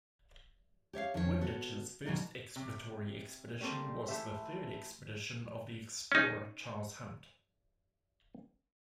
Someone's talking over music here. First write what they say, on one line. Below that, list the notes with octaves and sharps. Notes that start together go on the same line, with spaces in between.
Windich's first exploratory expedition was the third expedition of the explorer Charles Hunt.
G4 C#5 E5 F5
F2 D#3 C4 C#4 G#4 C#5
B3 F#4 A4
B2 D#3 F#3 G3 D#4
C3
G3 A3 A#3 C4 C5
E3 A3 G4 C5 E5
C#4 D#4